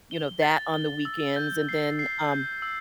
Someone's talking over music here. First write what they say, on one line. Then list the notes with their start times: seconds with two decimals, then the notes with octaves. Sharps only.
you know, that on the weekends, and then, um
0.11 G7
0.42 A6
0.74 G7
1.05 E6
1.36 G6
1.69 C7
1.99 C7
2.31 G6
2.62 E6